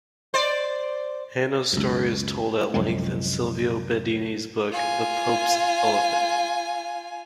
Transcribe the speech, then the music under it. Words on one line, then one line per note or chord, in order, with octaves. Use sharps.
Hanno's story is told at length in Silvio Bedini's book, "The Pope's Elephant".
C5 D5
C#2 F#2
C2 F#2 F3 G#3
F4 G#5